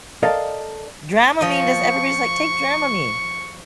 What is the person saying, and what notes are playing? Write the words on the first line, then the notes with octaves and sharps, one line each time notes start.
Dramamine does everybody's like, "Take Dramamine."
A4 A#4 D5 D#5 F5 A5
F3 D#5 C#6